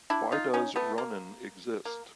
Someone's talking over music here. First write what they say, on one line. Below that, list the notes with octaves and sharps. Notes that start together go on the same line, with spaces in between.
Why does Ronin exist?
D4 E4
D#4 F4
C#4 D#4
A3 B3
A#3
A#3